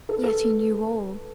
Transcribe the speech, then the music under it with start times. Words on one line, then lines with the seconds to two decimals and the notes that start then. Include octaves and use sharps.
Yet he knew all.
0.09 A4
0.17 B4
0.23 A4